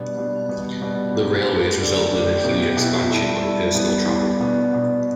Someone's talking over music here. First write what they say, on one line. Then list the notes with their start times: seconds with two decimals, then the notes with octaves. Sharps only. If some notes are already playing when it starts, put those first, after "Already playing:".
The railways resulted in a huge expansion of personal travel.
Already playing: B2 G3 B3 D4
0.17 B2 G3 B3 D4
0.49 B2 G3 B3
0.82 B2 G3 B3
1.14 A3 G4 B4
1.46 A3 G4 B4
1.79 D3 A3 D4 G4
2.12 D3 A3 D4 G4
2.44 B2 B3 E4 G4
2.77 B2 B3 E4 G4
3.09 G3 E4 A4
3.41 G3 E4 A4
3.74 E3 G3 B3
4.07 E3 G3 B3
4.40 B2 B3 D4
4.72 B2 B3 D4